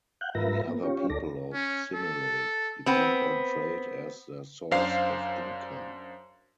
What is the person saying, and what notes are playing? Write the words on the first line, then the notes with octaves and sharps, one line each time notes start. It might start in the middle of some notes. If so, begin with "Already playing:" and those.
Many other people of Simele depend on trade as their source of income.
F5 F#5 F#6 G6
G#2 F4 A#4 B4 E5 A#6
A#3 B3
C#4 F4 G4 C#5
D2 A4 D5 A#6
C#4
A4
B3 C4
F#2 D4 C5 F5 C7